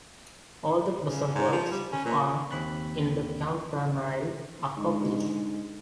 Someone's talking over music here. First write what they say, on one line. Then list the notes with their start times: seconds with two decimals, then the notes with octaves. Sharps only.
All the present works of art in the campanile are copies.
1.07 C#3
1.35 G#2
1.52 F3
1.71 G3
1.92 C#4
2.05 A#2
2.51 D#2 C4 B5 F#6
4.77 G#2 D3 G#3